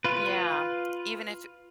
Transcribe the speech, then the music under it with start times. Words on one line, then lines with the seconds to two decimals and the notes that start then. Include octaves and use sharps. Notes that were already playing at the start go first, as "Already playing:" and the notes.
Yeah, even if
0.05 F4 B4